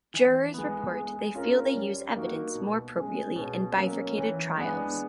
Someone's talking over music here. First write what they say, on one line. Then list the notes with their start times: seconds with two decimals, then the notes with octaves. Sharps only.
Jurors report they feel they use evidence more appropriately in bifurcated trials.
0.14 E3
0.54 G#3 B3
0.95 G#3
1.35 C#4 F4 A#4
1.75 G3
2.15 A#3 D#4 F#4
2.55 B2
2.96 G#3 C#4
3.36 B2
3.77 F#3 A#3 C#4
4.17 E3
4.58 G#3 B3 D4